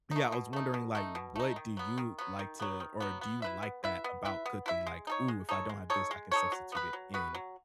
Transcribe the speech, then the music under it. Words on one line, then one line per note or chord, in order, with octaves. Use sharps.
Yeah, I was wondering, like, what do you like to or do you like that about cooking? Like, "Ooh, if I don't have this, I can substitute it in,
A3 D#4
B2
A3 D#4
B2
A3 D#4
B2
A3 D#4
D#3
F#3 B3
D#3
F#3 B3
D#3
F#3 B3
D#3
F#3 B3
B3
E4 B4 E5
B3
E4 B4 E5
B3
E4 B4 E5
B3
E4 B4 E5
G#3
D#4 A4 C#5
G#3
D#4 A4 C#5
G#3
D#4 A4 C#5
G#3
D#4 A4 C#5
F#3
B3 F#4 B4
F#3
B3 F#4 B4
F#3